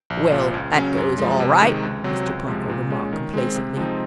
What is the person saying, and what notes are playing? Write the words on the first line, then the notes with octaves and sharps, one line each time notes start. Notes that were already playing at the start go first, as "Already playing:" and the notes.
"Well, that goes all right!" Mr. Parker remarked complacently.
A#1
A#2 F3
C#2
C#3 F#3 C#4
F#2
F3 G#3
C3
D#3 G#3 D#4
C#2
C3 F#3 C4
C#2
C3 F3 G#3
A#2
G#3 C#4
D#3
G#3 C4
C3
F3 G#3 C4 D#4